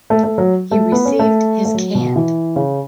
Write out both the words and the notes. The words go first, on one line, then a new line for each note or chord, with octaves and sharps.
He received his cand.
A3
A3
F#3
A3
B3
C#4
A3
A3
F#3
B2
E3
C#3